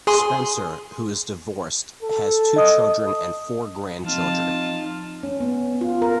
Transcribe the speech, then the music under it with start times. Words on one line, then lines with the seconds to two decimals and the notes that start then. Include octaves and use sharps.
Spencer, who is divorced, has two children and four grandchildren.
0.07 G#4 G#5 C6
2.03 A4
2.56 D#5 D#6
4.05 F3 C4 D#4 F4 A5
5.23 C#4
5.40 B3
5.81 F4
6.02 A#4